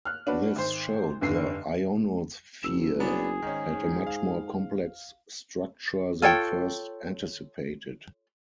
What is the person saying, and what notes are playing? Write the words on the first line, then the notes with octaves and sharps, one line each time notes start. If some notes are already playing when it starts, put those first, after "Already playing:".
This showed the ionosphere had a much more complex structure than first anticipated.
F6 F#6
D4 F#4 B4
G#1 C5
F1 G2 D3 C7
F#1 E6 E7
F#3 B3 D4 G#4
G#2 D#3 C#4
F5
F4 A4 C#5 G5